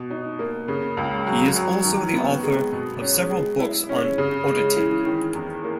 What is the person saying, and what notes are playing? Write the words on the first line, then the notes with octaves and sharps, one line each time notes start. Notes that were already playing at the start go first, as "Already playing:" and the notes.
He is also the author of several books on auditing.
Already playing: B2
D#4
A#3
C#3
C#2
F#3
F#3
D#3
B3
G#3
B2
C#4
G#3
E4
C#4
C#3
G#3
E3
D#3
E2
A#3